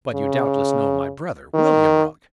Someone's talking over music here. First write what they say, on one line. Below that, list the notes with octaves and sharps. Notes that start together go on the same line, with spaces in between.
But you doubtless know my brother, William Rugg.
C#3
D#3